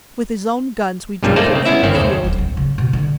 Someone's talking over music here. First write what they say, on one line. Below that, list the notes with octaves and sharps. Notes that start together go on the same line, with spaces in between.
With his own guns we drove him from the field.
B1 G2 A#2 G3 C#4
A3 A#3 D#4 C5 D5 A5
C#3 C4
B3 C#4 E4 E5
G1 D#3 C4 C#4
D#2 C#3 A4 C5
D1 F#3
C4
C#3
B2
D3